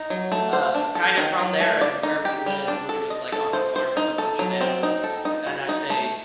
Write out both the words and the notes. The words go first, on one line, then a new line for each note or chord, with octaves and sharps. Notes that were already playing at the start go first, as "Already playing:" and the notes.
uh, kinda from there and where we lived, which was, like, on a farm with a bunch of animals. And I say
Already playing: D#4
F#3
A3
C5
D4
A4
D#3
F#3
A3
D5
D#4
G4
G3
D4
A4
D#5
A4
C5
C5
D#4
A4
F#3
C4
D#4
A4
D#4
F#4
D#4
A3